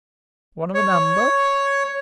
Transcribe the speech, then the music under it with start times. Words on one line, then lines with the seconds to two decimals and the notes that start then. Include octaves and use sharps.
One of a number?
0.75 C#5